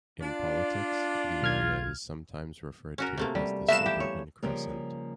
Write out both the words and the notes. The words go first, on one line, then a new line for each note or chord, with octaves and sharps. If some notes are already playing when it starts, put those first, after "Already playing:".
In politics, the area is sometimes referred to as the "suburban crescent".
D4 F4 D5
B1 F6 G#6
C#4 F#4 A#4
C3 A3 A#3
G3
A3 B3 A#4 E5 F5 E7
E3 G4
C#5
C#3 F3 G3 A#3